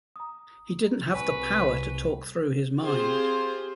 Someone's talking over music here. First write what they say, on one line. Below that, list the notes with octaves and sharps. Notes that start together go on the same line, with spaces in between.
He didn't have the power to talk through his mind.
A#5 D#6
C2 B4 G#5 C#6
C4 F4 G4 G#4 C5